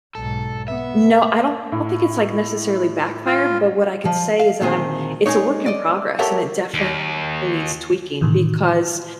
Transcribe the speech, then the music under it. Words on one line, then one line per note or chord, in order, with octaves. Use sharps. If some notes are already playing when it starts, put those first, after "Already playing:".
No, I don't think it's, like, necessarily backfired, but what I can say is that I'm it's a work in progress, and it definitely needs tweaking because
B1 G#2 A4
B3 E5
A2
F4
F3
F5
D2 A#2 D#3 C4 G#4
G#3 C#4 D#4 C#5
D5 D#5
G4 A4 A#4 C#5 E5 F#5
D#2
A2 C3 D#3 E3